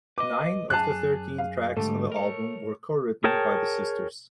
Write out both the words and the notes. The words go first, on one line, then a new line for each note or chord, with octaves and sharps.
Nine of the thirteen tracks on the album were co-written by the sisters.
B4 D#5 D6
F#2 G#4 A5 F#6
F5
G#2 D3 G3 A3
A#4 C#5
G#4 A#4 C#5 G5 A5